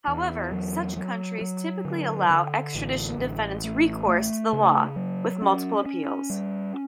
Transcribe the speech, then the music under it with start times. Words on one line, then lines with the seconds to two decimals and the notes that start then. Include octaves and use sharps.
However, such countries typically allow extradition defendants recourse to the law, with multiple appeals.
0.08 E2
0.52 F#3
0.96 F#3
1.41 F#3
1.85 D3
2.29 D3
2.75 A1
3.18 A1
3.64 A3
4.08 A3
4.53 C#3
4.96 F#3
5.42 C#4
5.86 C#4
6.30 G3